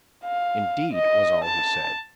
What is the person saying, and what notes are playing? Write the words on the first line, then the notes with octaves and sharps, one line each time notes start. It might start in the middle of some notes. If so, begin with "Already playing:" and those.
"Indeed!" was all he said.
F5
D#5
A5